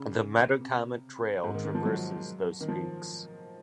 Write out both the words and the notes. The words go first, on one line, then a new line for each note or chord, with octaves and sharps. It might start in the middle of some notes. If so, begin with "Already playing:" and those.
The Metacomet Trail traverses those peaks.
Already playing: C#3
C3
G#2
D#3
D#3
F3
F#3
D#3
F3